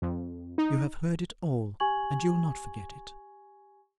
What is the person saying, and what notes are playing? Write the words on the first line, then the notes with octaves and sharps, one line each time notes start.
'You have heard it all, and you'll not forget it.
F2
D#4
G4 G#5 C#6 G#6 F#7